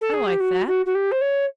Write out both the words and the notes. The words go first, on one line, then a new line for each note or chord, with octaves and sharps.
I like that.
A4
G#4
G4
F#4
F#4
F#4
G4
C5
C#5